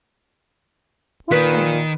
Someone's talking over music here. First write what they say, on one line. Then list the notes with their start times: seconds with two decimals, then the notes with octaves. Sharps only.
"What then?"
1.32 A#2 D#3 B4